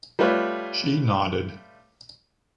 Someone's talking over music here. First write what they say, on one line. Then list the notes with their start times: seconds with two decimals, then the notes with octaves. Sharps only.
She nodded.
0.19 G3 A3 F4 B4 C#5